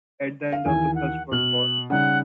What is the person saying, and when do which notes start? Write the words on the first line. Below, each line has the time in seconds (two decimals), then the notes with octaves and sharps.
At the end of the First World War.
0.52 F5
0.65 D#2 E3 E4 G#5
0.95 F#5
1.31 B2 F6 F#7
1.90 C#3 G3 D#4 F#5